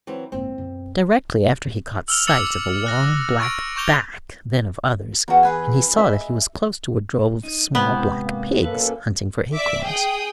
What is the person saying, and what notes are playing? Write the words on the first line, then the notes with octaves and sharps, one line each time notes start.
Directly after he caught sight of a long black back, then of others, and he saw that he was close to a drove of small black pigs, hunting for acorns.
E3 F#3 C4
F#1 G#2 C4
F#2 B2
E6 F6 F7
D6 E6 F6 A6 C#7 F#7
F#6 A#6
C#6 A6 D7
C#6 D6 G6 F7 G7
E2 F#4 A#4
G#4 B4 G#5
D#5 E5
D#4
G#2 C3 E3 B3 G4 C5
A#3
F#2 A#3 A4 B4
D5 E5 D6
G#4 G5 D#6